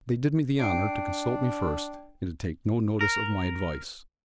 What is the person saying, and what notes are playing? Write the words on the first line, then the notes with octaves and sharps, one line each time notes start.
They did me the honour to consult me first, and to take no notice of my advice.
D4 G5 C7 D7
A#4